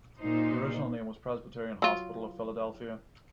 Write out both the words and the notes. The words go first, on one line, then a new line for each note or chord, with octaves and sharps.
The original name was Presbyterian Hospital of Philadelphia.
A#2 D#4 C5
F#3 F4